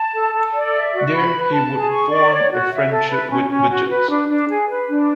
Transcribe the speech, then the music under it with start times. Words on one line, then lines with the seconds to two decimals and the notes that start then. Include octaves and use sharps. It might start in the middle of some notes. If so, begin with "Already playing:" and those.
There he would form a friendship with Widget.
Already playing: A5
0.13 A4
0.34 A4
0.53 D5
0.73 E5
0.93 F#4
1.12 B5
1.32 B4
1.51 A5
1.71 G#4
1.91 C#6
2.11 D5
2.31 C#5
2.51 F#4
2.71 E5
2.90 A4
3.10 B4
3.30 C#4
3.49 C#4
3.69 F#4
3.89 B4
4.09 D4
4.28 D4
4.49 G#4
4.68 B4
4.88 D4